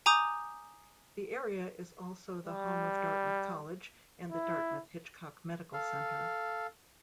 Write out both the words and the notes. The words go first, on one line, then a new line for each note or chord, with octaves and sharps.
The area is also the home of Dartmouth College and the Dartmouth-Hitchcock Medical Center.
G#5 A#5 D6 D#6 G6
G3
E4
A4 F5